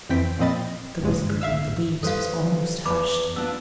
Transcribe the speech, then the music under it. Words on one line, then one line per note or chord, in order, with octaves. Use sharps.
The whispering of the leaves was almost hushed.
F2 E3 C4 G5 B6
A#2 F3 C4 D#5 B5 A6
A#1 G2 C#3 G#3
B1 E5 F5 E6
G3 A4 B4 C5 F5
E2 B5 D6
B3 D4 F4 E6